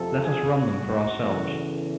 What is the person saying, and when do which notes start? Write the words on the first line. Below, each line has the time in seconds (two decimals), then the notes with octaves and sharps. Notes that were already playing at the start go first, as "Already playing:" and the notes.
Let us run them for ourselves.
Already playing: F2 C3 F3 A4
0.24 G#4
0.55 F#4
1.17 E2 C#3 E3 A3